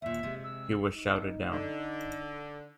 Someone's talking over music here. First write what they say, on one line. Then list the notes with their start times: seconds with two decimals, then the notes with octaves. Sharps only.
He was shouted down.
0.02 D#2 A#2 E5
0.23 C3 G#3
0.44 E6
0.96 D#4
1.51 D3